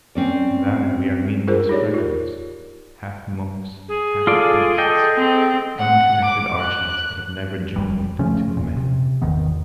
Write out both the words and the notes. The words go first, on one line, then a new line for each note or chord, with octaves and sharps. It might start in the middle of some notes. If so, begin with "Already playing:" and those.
Without it we are meaningless fragments, half monks, half beasts, unconnected arches that have never joined into a man.
C4 C#4 D5
D4 F4 G#4 A#4 C5
D#4 G4 C#5 D5
F4 A#4
G#4
F4 A4 D5
A4 D#5 G5
C4
F#5
D6
F#6
F1 D#2 G3
C#3 F3 A3 C#4
D#1 A#2
C3
G#1 E2 D#3 B3